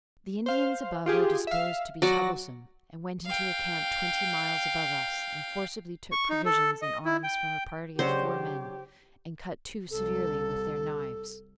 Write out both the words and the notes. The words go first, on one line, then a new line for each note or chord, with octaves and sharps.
The Indians above are disposed to be troublesome and went into a camp twenty miles above us and forcibly took provisions and arms from a party of four men and cut two severely with their knives.
C5 F5
F4 G4 G#4
E5 F5
F#3 D5 F#5 A#6
F5 G5
C#6
D#4
A4
D#5
E4
G5
C#3 F#3 D4 G4 C5 C#5
C2 A4